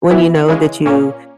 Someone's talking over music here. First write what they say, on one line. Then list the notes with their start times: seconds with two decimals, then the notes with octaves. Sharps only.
when you know that you
0.11 E3 B3 E4
0.48 C#3 E3 G#3
0.86 A#2 A#3 C#4